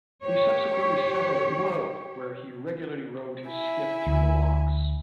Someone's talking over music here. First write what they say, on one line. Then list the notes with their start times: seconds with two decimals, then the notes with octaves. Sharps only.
He subsequently settled at Marlow where he regularly rowed his skiff through the locks.
0.23 G4 C#5
3.46 E4 E5 G#5
4.07 D2